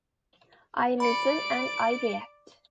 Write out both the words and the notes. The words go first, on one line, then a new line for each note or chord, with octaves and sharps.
I listen and I react.
D5 B5 C#7 D7